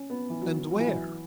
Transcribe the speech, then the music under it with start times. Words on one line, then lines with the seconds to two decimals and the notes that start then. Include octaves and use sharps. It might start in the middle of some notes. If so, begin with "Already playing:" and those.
And where?
Already playing: C#4
0.10 B3
0.30 E3
0.41 F#3
0.71 F#3
0.79 E3
0.86 F#3